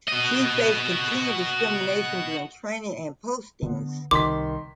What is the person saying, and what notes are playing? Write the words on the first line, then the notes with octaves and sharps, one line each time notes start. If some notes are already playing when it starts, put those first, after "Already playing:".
She faced continued discrimination during training and postings.
F#4 D#5
D3 B3
C2 C3 D#3 C6 D6 B6